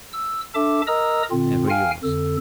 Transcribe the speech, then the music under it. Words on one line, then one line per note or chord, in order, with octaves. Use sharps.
Ever yours.
E6
D4 A4 E5 A5 D6
A#4 D#5 A#5 D#6 E6
A#2 D3 C4 F4
F5 G5 G#5 F6
F2 D3 A4